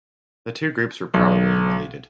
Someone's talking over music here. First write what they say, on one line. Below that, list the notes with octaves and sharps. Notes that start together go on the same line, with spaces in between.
The two groups were probably unrelated.
B1